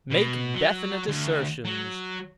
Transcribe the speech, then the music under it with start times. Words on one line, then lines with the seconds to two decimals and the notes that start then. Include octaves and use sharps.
Make definite assertions.
0.10 B2
0.55 F#3
1.08 D2
1.65 F#3